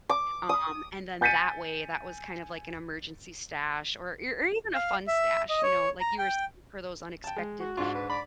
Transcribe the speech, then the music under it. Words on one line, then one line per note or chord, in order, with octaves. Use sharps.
Um, and then that way, that was kind of like an emergency stash or or or even a fun stash, you know, like you were saying for those unexpected,
D6
D#6
G#5 G6 A6 B6 C#7 D#7
F5
E5
D#5
C#5
A#5
G5
G5 A5
G#3
F#4
G#2 D4 F4 C#6
B4
D5 B5